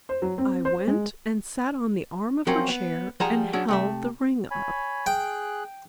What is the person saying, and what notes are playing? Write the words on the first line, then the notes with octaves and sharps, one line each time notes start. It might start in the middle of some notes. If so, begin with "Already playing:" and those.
I went and sat on the arm of her chair, and held the ring up.
C5
F#3
C4
C5
G#3
F3 F#3 C4 C#4 A#4
B3
F3 G3 G#4 F#5 A5 A#5
F#3 C#4 D4 G#4
C3 A3 E5
C#5 G#5 B5
G#4 G5 F#6